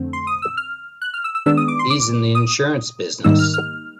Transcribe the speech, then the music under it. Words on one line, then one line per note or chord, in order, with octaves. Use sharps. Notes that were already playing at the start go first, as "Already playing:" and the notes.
He's in the insurance business.
Already playing: F2 D3 A3 C4
C6
D#6
E6
F6
F#6
F6
E6
E6
D#3 G#3 B3 D4 E6
D#6
D6
C6
D6
D#6
G#2 D#3 G3 A#3 D#4 E6
F6
F6